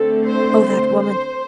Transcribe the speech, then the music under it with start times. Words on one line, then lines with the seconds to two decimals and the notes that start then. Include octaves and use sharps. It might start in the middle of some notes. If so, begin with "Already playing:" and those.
Oh, that woman!
Already playing: D3 A3 C4 A4
0.27 C5
0.64 C5
1.03 C5